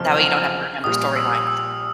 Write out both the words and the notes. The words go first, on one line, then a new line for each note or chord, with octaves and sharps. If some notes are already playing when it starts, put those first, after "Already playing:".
that way you don't have to remember storylines.
Already playing: F#1 E2 C3 F3 F6
A#1 A#2 G3 D#6
E6
E6